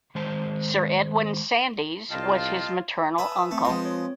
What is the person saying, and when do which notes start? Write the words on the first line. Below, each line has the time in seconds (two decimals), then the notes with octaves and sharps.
Sir Edwin Sandys was his maternal uncle.
0.15 D#3 G#3 C5 A5
2.11 C2 F4 D#5 F5 G5 A5
3.18 B4 E5 G#5 A5 D#6
3.51 A3 C4
3.65 F3 G#3 F4 B4 C6 D#6
3.85 C#5